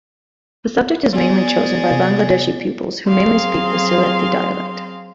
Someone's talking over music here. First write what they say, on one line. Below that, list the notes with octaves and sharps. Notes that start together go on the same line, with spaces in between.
The subject is mainly chosen by Bangladeshi pupils, who mainly speak the Sylheti dialect.
G#3 B3 G#4 D5
C3
F#3 C4 G#4 F5 C6